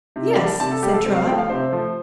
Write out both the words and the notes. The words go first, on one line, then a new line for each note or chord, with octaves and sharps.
"Yes," said Trot.
C3
D5
G3
A5
C3 A5
A4
G3 G4
A4
C3 C5
F5
F3 G5
A3
F5
C3 C5
F3 A3